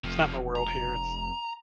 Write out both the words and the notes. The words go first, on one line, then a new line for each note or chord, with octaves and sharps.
it's not my world here, and
F1 C3 F3
A#5